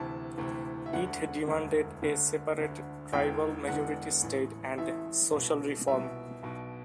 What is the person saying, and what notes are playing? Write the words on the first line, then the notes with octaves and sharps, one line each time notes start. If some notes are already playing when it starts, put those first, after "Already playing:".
It demanded a separate tribal-majority state and social reform.
Already playing: D2 C3 E3 A5
D2 C3 E3
E5
E1 D2 D3 F#5
E1 D2 D3
D2 D3
D2 D3
E1 E2 D3 G5
E1 E2 D3 F#5
A1 A2 E3
A1 A2 E3 E5
C2 B2
C2 B2 E5
B1 B2